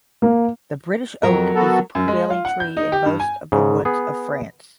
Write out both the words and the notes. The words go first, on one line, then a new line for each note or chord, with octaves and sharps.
The British oak is the prevailing tree in most of the woods of France.
A#3
F2 F#3 A#4
B3 F#4 A4
F#2
G#3
F4
F#5
G6
D#4
G4
G2
G#5
G#2 C#3
B3 G#4